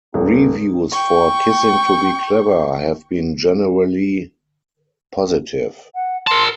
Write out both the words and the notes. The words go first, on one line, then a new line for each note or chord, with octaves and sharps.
Reviews for "Kissing to Be Clever" have been generally positive.
D#1
G5 C#6
F#5
A#4 A5 C6